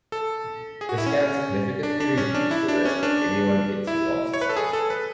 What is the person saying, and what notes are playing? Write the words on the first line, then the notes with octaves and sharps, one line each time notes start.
This can significantly reduce the risk of anyone getting lost.
A4
G#4
F#4
E4
C#4
D4
D4
C#4
D4
E4
D4
C#4
D4
E4
C#5
B4
A4
G#4
A4
B4